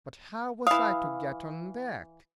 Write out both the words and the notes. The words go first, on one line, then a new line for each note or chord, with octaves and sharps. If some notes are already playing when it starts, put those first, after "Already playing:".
But how was I to get on deck?
E3 F5 D#6